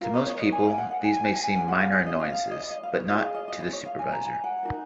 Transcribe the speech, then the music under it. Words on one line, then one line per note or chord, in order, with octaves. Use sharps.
To most people, these may seem minor annoyances, but not to the supervisor.
F4 A#4 F5
D#5
C#5
D#5
G#5
F5
F#5
F#5
G#5
G#5
G#5
C#4 G#4 F#5
F#5
F5
D#5
D#5
F5
F5
D#5
D#5
F5
C#5
F4 G#4 D#5
F5
D#5
D#5
C5
C#5
F5
G#5
A#5
G#5
F#5
D#4 F#4 A#4